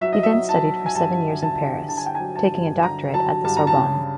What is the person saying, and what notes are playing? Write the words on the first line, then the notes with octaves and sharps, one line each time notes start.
He then studied for seven years in Paris, taking a doctorate at the Sorbonne.
F#3 E5
D#5
E5
F#3
A5
F#3
G#5
G2 A5
D3
A5
D3
D3 A5
G#5
G5
F#3 G#5
A5
G2
D3 A#5
F#3 A5
G2 A5
A#5
A5
C#3